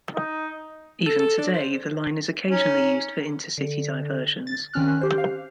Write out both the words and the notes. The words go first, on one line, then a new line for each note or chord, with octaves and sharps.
Even today, the line is occasionally used for inter-city diversions.
D#4
A4
A4
D4
C5
C#4 D#4
D3
A6
D#3 C4 C#4 F6 F#6
G4 C5
F5